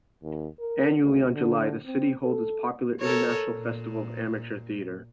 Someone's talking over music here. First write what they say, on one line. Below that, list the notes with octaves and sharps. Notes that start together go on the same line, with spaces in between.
Annually, on July, the city holds its popular "International Festival of Amateur Theater".
D#2
A#4
D2
D3
C4
A4
A4 A#4 C#5
A#2